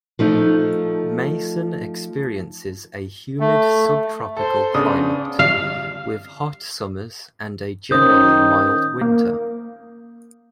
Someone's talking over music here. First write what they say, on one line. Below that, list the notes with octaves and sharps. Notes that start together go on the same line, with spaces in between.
Mason experiences a humid subtropical climate, with hot summers and a generally mild winter.
F3 A3 D#4
A3
A4 C5 C6
C#3 B3 D4 D5 D#6
F5
D#3 C#4 C5 D#6 G6
A#3